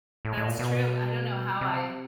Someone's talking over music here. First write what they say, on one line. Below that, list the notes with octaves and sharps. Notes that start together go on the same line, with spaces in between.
That's true, I don't know how I
A2
A2
A#2
B2
C3